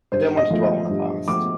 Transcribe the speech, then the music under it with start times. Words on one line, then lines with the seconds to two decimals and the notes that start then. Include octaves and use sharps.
I don't want to dwell on the past.
0.12 G2 C5
0.37 D#5
0.50 F3 A3
0.63 D#5
0.89 G2
1.28 F3 A3 D6